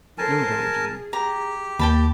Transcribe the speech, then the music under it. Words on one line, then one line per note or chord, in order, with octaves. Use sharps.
No die Jimmy.
A4 A#4 C5 G#5 A5
G#4
G4 A#5
D#2 G5 A5 B5